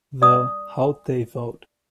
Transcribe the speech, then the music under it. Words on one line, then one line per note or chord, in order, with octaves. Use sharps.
The How'd They Vote?
D5 D#6